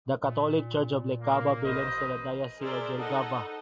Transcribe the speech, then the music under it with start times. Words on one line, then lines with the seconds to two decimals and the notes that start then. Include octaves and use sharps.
The Catholic church of Iecava belongs to the diocese of Jelgava.
0.23 A#2
1.21 A#3
1.64 A1 B4 C5 D#5
2.61 G#4 A#4 C5 D5 E5
2.97 D#4 A4 D#5 F#5